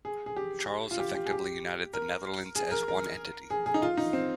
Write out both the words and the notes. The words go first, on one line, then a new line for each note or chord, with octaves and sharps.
Charles effectively united the Netherlands as one entity.
G#4
G#4
G4
F4
G4
G4
G#4
G4
A#4
G#4
A#4
A#4
G#4
G#4
D#4
F4
D#4
C4